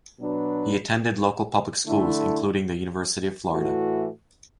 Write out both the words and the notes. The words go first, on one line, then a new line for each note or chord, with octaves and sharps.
He attended local public schools including the University of Florida.
B2 F#3 D4 B4
D3 A3 E4
A2 E3 A3 F#4